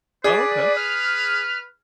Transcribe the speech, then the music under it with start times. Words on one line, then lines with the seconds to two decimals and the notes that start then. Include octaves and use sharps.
Oh, okay.
0.24 G#4 B4 D5
0.77 F6